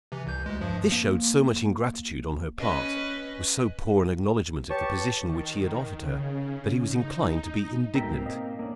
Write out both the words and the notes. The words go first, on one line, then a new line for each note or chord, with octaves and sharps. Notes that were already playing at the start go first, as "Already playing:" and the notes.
This showed so much ingratitude on her part,--was so poor an acknowledgment of the position which he had offered her, that he was inclined to be indignant.
C3 E3
C2 G6
D2 G#3
G2 F3
A#3
C#4 B4 D#5
G4 B4 C#5 A5 C#6
D#3
C#3
D#4
G#2 B2 A#4 E5 G5
A#3 C4 F5
D#5
A#3 C#4 D4